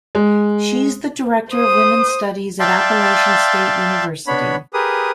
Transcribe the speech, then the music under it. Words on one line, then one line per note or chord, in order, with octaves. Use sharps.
She is the director of Women's Studies at Appalachian State University.
G#3
C5 D#6
D5 E5 F5 G5 A5 C6
B3 D4 C#5 B5
G4 G#4 A#4 B4 D#6